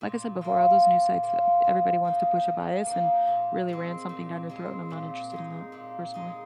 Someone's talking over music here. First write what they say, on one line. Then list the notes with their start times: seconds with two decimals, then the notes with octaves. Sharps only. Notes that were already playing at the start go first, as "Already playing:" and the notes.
Like I said before, all those news sites, uh, everybody wants to push a bias and really ram something down your throat, and I'm not interested in that personally.
0.01 A#2
0.41 A#3 F4
0.82 A#2
1.23 A#3 F4
1.64 F3
2.05 A#3 D#4
2.46 F3
2.86 A#3 D#4
3.27 A#2
3.68 G#3 C4
4.09 A#2
4.50 G#3 C4
4.90 A#2
5.32 G#3 D#4
5.72 A#2
6.14 G#3 D#4